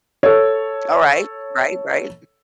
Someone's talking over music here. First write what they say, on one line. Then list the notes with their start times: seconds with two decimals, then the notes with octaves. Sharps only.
Alright. Right, right.
0.23 A4 C#5